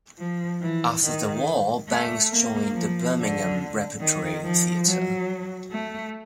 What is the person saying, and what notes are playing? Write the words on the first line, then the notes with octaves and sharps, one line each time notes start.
After the war, Banks joined the Birmingham Repertory Theatre.
F3
E3
D#3
A3
A#3
F3
D3
D#3
F3
F#3
A3